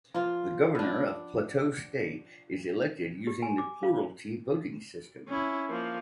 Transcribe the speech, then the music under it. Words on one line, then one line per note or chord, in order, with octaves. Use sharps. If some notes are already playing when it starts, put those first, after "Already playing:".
The Governor of Plateau State is elected using the plurality voting system.
F3 A#3 F4
B3 D4
G4
G#5
D6
F5
C#4 E4
F3 A#3